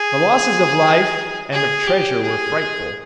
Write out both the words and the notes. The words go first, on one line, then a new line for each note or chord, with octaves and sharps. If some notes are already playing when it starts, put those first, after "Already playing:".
The losses of life and of treasure were frightful.
Already playing: G#4
G#4
G4
G#4